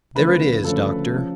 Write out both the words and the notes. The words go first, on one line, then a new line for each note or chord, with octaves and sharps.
There it is, doctor.
D2 C#3 F3 A3 B4
D2 C#3 F3 A3 A4
C#3 F3